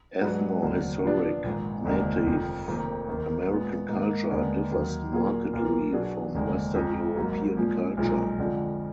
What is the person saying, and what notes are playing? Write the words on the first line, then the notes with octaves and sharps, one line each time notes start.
Ethnohistoric Native American culture differs markedly from Western European culture.
G#2 F#3 D4 G#4 B4
F1 D#2 D3 F#3
A#2 F3 B3 D4
A#1 G#2 D#3
F1 D#2 D3 G#3 D#4
F1 F2 D#3
F1 F2 D#3 A#3
D#2 D#3 A#3
A#2 G#3 B3
G#2 D#3 A#3
D#2 D3 G#3 B3
D#2 D#3 F#3
A#2 F#3 A#3 F4 G#4
B1 B2 A#3 F4
B2 F#3 D4 G#4
F1 D#2 D3 G#3
F2 F3 G#3 D#4
G#1 G#2 F#3 A#3
A#2 F3 G#3
B1 A#2 F3 G#3 D#4
F2 D3 F3 G#3